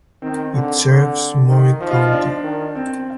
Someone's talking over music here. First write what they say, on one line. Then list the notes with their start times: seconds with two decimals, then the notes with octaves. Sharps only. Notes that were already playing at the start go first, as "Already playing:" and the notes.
It serves Maury County.
0.22 D#3 C4
0.54 D3
0.85 D3
1.49 D#3
1.80 F3 D#4
1.91 F4
2.01 D#4
2.12 D4
2.44 D#3
2.75 C4